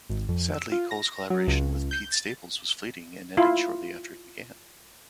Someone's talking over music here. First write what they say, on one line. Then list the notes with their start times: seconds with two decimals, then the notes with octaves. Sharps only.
Sadly, Cole's collaboration with Pete Staples was fleeting and ended shortly after it began.
0.10 G#1
0.29 F2
0.54 E6
0.72 F4
0.91 A#6
1.30 F#3
1.47 C#2
1.91 G6
2.12 A6
3.37 E4 F4